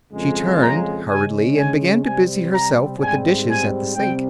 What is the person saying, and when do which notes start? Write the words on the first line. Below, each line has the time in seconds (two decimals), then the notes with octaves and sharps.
She turned hurriedly and began to busy herself with the dishes at the sink.
0.12 F2 C#3 G#3
0.60 A#5
1.08 C#3 G#3 C#4 G#5
1.56 G#5
2.04 C3 G3 C4 G#5
2.52 A#5
2.99 G#2 G3 C4 G#5
3.48 G#5
3.95 C3 G3 C4 G5